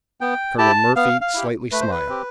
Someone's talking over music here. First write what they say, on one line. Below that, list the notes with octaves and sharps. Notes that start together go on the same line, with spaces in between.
Colonel Murphy slightly smiled.
B3 G5
E4 G4 A5
B3 F5
F5
E4 G4
A3 B4
C5
B4
C4 G4